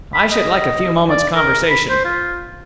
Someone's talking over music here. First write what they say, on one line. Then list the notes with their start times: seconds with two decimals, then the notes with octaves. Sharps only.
"I should like a few moments' conversation."
0.14 B5
0.31 D#5
1.10 D5
1.35 A#4
1.70 B5
1.90 C5
2.05 F4